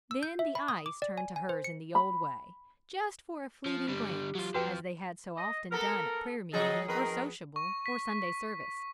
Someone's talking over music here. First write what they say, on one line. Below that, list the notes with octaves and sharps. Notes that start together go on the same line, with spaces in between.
Then the eyes turned to hers in the old way, just for a fleeting glance, as they had so often done at prayer-meeting, or sociable, or Sunday service.
E6
G6
E5
B5
D#6
D6
D5
G#5
G#5
C5
C#7
B5
F3
D3 G3 G4
F#3 F4
F2 F3 F#4 B4 G5
D#5
B3 A4 A#4
G#2 F3 F#3 G#4 A4 D#5
F2 D#3 G#4 A#4 B4
C#6
B6